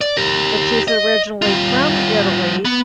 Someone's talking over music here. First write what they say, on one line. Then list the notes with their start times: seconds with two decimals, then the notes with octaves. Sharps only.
but she's originally from Italy,
0.01 D5
0.17 G4 A#4
0.88 D#5
1.42 G3 F4
2.65 B3